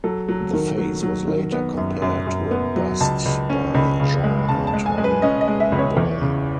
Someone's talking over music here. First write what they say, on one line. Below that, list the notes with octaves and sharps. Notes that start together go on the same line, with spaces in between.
The face was later compared to a bust by Jean-Antoine Houdon.
F#3 A4
F#3
D#3
F#3
F#3
D#3
B3
F#2
F#2
F#2
B3
F#3
C#2 A5
C#2
C#4
C#2 B5
C#3
G#3
C#3 A5
A5
G#3
G#5
G#3
B4
C#4 D#5
D#5
G#3
E5
C#2
C#5
E2
C#3